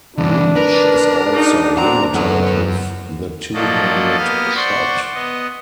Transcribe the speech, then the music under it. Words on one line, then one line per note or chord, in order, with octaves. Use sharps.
Reach is also limited with the two-handed shot.
C2 E3 D4
A#4 B4
B2 G#3 D#4
C4 F#4 A#5
F#2 A2 B3 F#5
F3 F#3 A#3 A4 D5 D#5
A#3 B3 G4 D#6 F6
C5 D5 F#5 C6 C#6
B3 D#5